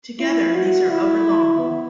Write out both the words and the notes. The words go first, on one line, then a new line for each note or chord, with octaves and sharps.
Together these are over long.
E4
F#4
E4
B3